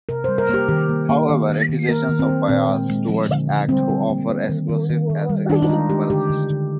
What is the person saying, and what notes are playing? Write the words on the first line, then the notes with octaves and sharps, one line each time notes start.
However, accusations of bias towards acts who offer exclusive access persist.
C3 A#4
G3 C5
A#4
A#3 G4
D#3 G4
A#3
A#3
D#3
D#3
D#3
A#3 A#4
D#3
C4
D#3
A#2 C4
G#3
G#3
F3
D3
D3
G3 C4
G3
A#3
A#3
D#3
D#3
D#3
D#3
G3
D#3 D4
D#4
G#3 F4
G#3 G4
D3 G4
D3
D3